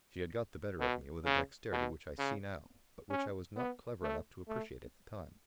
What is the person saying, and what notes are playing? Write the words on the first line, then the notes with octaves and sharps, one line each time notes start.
She had got the better of me with a dexterity which I see now, but which I was not clever enough to appreciate at time.
B2
C#3
B2
C#3
C#4
B3
A3
A3